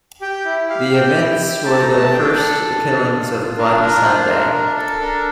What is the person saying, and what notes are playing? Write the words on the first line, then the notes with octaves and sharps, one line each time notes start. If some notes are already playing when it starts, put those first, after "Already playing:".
The events were the first killings of Bloody Sunday.
G4 G5
E4
G4 F5
G4 G5
E4
G4
A3 A5
A#5
A3
A5
D4 G5
A4
D4
D4
F4
F4
D4 A#4
F4 A#4
D4 C5
D4 A#4
D4 A#4
A4 A#4
D4 A#4